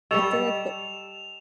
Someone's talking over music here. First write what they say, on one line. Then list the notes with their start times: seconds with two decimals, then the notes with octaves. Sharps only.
I feel like the
0.11 G3 G4 A4 D#5 G5 E6 E7 F7